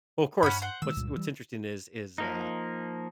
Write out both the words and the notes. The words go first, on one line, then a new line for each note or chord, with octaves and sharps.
Well, of course, what's what's interesting is is, uh,
G2 C#4 F#5 B5
C5 F#5
D#3 G#3 E6
C#2 G2 A#2
E3 G3
F3 A#3 D#4